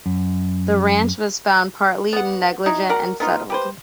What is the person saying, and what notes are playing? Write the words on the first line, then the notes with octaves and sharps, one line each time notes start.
The Ranch was found partly negligent and settled.
F#2
B3 F#5
D#4 E4 F#4
F#4 A#4 D5 F#5
B3 D#4 F4
G4 B4 C5